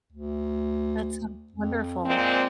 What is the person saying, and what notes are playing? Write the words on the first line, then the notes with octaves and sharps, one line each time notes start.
That's sounds wonderful.
D2
F2
A#2 G#3 C4